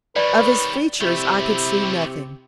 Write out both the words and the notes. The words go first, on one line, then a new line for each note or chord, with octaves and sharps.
Of his features I could see nothing.
D#3 G3 B4 C#5 D5
C3 G3 A3 E4